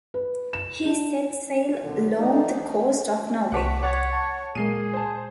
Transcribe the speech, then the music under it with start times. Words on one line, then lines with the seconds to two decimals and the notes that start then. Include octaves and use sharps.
He set sail along the coast of Norway.
0.14 B4
0.53 E7
0.85 D4
1.83 B1 A#2 D3
2.18 E3 F3 A3 D4 D#4
3.52 C2 F#5 A5 C#6 D6 B6
3.83 C#5 F#5 A6
4.13 A5 C#6
4.55 A#2 G#3 A#3 G#4 C7 D#7
4.93 C5 A5